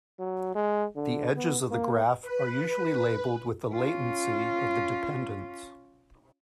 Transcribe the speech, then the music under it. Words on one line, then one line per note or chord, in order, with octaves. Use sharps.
The edges of the graph are usually labelled with the latency of the dependence.
F#3
G#3
D3
B3
A#3
B4
C#4 F4